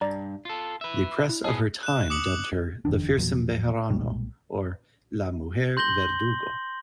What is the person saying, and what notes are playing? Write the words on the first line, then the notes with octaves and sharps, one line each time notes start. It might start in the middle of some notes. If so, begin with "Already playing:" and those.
The press of her time dubbed her "The Fearsome Bejarano" or "La Mujer Verdugo".
G2 D5 A#5
F4 A4
B4 E5
E4
B3 G#4 A5
F#6 E7
D6 D#6 C#7 F#7
F#1 F2 D#3 D4
E2 A#2 F3 F#3
B1 A#2 G3 G#3
C6 G6 A#6 F#7 G7